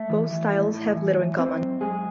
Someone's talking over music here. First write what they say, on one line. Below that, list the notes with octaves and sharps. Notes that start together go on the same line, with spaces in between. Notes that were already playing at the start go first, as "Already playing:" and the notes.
Both styles have little in common.
Already playing: A3
E3
E3
A2
A2
E3
E3
E3 C4 C5
F#2
F#2 G#3 G#4